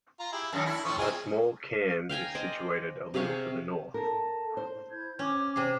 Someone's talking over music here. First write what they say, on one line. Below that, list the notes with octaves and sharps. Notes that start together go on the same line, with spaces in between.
A small cairn is situated a little to the north.
F4 A#5
E4 G4 G#4
F#2 D#3 A#3 D4
A3 E4
A2 F3 C6 C#6 D#6
C4 E4 F4 G#4 A#4 D#5
F5 G5 G#5 A#5
C5 D5 D#5
C3 G#4 F5 C#6
A4 A#4 A5
C5
E4 G6 G#6
C#4 C#5 D6
C3 G#4